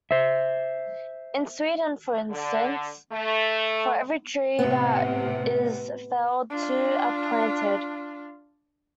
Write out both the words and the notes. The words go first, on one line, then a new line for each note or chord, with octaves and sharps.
In Sweden for instance for every tree that is felled two are planted.
C5 E5
D3
A3
A2 C3 B3
D4 F4